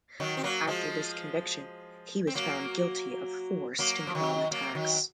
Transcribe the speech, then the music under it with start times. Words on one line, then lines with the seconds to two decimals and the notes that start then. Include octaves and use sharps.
After this conviction, he was found guilty of four stink bomb attacks.
0.20 D#3 F#3
0.37 C4
0.44 F#3 A#3
0.67 F3 G#3
2.27 C4
2.35 F#3 A#3
3.79 F#3 A#3
4.07 F3
4.15 D#3 F#3
4.51 F#3 A#3
4.75 D#3 F#3